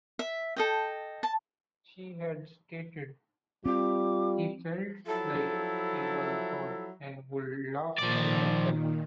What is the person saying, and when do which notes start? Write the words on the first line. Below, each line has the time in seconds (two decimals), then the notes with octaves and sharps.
She had stated, He felt like he was God and would laugh to himself.
0.19 E5
0.56 A4 D#5 G5
1.23 A5
3.66 G3 C4 F4 D6
5.07 F3 F#3 E4 A4
7.99 A#2 D#3 F3 D5